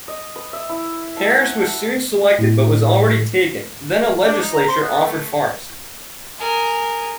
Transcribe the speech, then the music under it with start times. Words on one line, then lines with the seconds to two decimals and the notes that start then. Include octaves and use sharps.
Paris was soon selected but was already taken, then a legislature offered Forest.
0.08 D#5
0.36 B4
0.53 E5
0.69 E4
1.17 A5
1.30 F#5
1.59 A5
2.39 A2
4.26 D4
4.40 D#4
4.53 A#5
4.68 C5
4.81 B3
5.04 A3
6.39 G#4 A#4